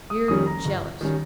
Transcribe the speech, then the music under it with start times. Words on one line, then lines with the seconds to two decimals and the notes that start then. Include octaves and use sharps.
"You're jealous!"
0.10 D#6
0.28 F2 D#3 G3 C#4 D#6
0.46 A#5
0.65 G1
1.01 D#3 G3 C#4